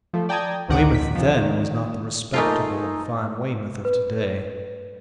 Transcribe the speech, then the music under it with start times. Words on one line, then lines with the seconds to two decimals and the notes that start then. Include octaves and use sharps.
Weymouth then was not the respectable and fine Weymouth of to-day.
0.13 F3 A3
0.29 D5 G5 A5 A#5 D#6 G#6
0.68 A1 D2 D#3 F#5 A#5 D6
0.94 F2 B6
1.15 C3 F3
1.39 D#3
2.34 A3 A#3 D#4 F4 G#4 A4
3.85 B4